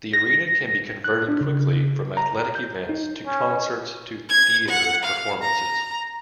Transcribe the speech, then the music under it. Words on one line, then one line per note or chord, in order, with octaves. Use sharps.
The arena can be converted quickly from athletic events to concerts, to theater performances.
A#6
F#6
D4
C#3
A#5
G6
D#4
C#4
G#6
F#5
F5
A#5